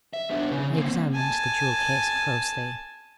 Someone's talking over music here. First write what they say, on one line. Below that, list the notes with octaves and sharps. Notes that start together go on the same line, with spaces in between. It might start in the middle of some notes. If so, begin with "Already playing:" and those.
I examined the jewel-case closely.
E5
B3 D4
C#3
A#3 C4
G#5 A5